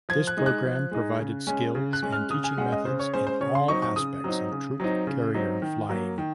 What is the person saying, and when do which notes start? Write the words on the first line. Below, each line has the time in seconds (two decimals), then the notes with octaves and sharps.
This program provided skills and teaching methods in all aspects of troop carrier flying.
0.09 F3 G#6
0.27 F#6
0.37 G#3 D#4
0.46 F#6
0.64 F3
0.91 G#3 D#4
1.19 C#3
1.47 G#3 C#4
1.75 C#3
1.93 F#6
2.03 G#3 C#4
2.12 F6
2.30 C#3 D#6
2.44 G#5
2.57 G#3 C#4 F#5
2.72 D#5
2.85 C#3 C5
2.99 C#5
3.14 G#3 C#4 C5
3.27 C5
3.41 C#3 C#5
3.55 C6
3.68 F#3 C4 D#4 C#6
3.82 C#6
3.96 C#3 D#6
4.24 F#3 C4 D#4
4.52 C#3
4.80 F#3 C4 D#4
5.07 C#3
5.34 F#3 C4 D#4
5.62 D#3
5.89 F#3 A#3
6.18 D#3